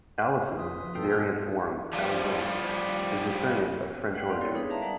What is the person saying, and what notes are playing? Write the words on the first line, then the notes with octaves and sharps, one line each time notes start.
Alison, variant form Alizon, is a surname of French origin.
F2 F3 B4 C6 D#6
B2 F4 A4 G5
F3 G3
G#3 B4 F#5 G5
B3 C#4 D5 F5 C6
G#3 E4 A4 A#4 C#5 G5
B3 D4 D#4 G#4 B4
A#4 E5 F5 A5 A#5
G3 A#4 D5 F5 F#5 A5